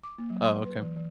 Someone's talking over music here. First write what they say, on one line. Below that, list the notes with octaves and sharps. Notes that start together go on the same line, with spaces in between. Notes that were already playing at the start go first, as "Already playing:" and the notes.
Oh, okay.
D6
A#3
F#3
C6
B4
E3
E3